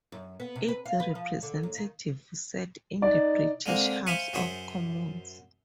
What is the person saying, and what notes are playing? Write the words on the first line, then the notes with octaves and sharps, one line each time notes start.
Its representatives sat in the British House of Commons.
F#2
B3
C3
B4
F5
B4
F3
D3
D#2
D#3
D#4 D5
D3 G#3 A#3 C4
C5 E5 F5 G#5 B5 C#6
F#2 G#4 C5 E5 F#5